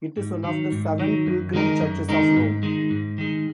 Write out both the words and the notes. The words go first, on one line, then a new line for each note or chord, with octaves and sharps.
It is one of the Seven Pilgrim Churches of Rome.
G#2
D#3 F#3
G#2
D#3 F#3
F#2
D#3 G#3 D#4 A#4
F#2
D#3 G#3 D#4 A#4
G#2
D#3 G#3
G#2
D#3 G#3